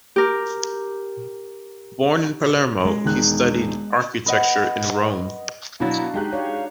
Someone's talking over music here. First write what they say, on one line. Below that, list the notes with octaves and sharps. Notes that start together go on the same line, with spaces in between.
Born in Palermo, he studied architecture in Rome.
G4 A#4
G#3
E1 D#3 F#6
B4 D#5 F#5
B2 F#3 D4 E4 F#4 F5 A6
G#3 D#4 G4 F#6
C#5 D5 F5